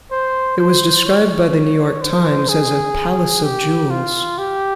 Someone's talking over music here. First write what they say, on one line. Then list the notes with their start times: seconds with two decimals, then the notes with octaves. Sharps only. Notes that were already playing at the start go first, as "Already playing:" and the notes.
It was described by "The New York Times" as a "palace of jewels".
0.11 C5
0.58 C5
1.06 C#5
2.01 C5
2.48 G#4
3.43 G4
3.90 F4
4.38 G4